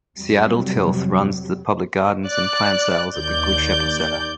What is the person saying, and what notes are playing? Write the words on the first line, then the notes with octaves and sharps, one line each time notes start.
Seattle Tilth runs the public gardens and plant sales at the Good Shepherd Center.
F2 C3 F#3 G3
D5 F#6
D#2 D5 G6